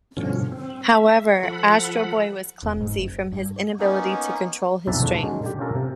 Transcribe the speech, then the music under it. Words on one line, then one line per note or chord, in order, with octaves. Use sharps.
However, Astro Boy was clumsy from his inability to control his strength.
G2 B2 D3 F3 C#4
C4
E5
F3 A4 F#5 B5
E1
G#2
F#1
G2
A#3 B3 C#4 D#4
B1 F2 D4 E5 A5
E2 F3 A3 D4
D#3 F#3 G#3 C#4
D3 G4
C#4 D4 F4 A4 A#4
C3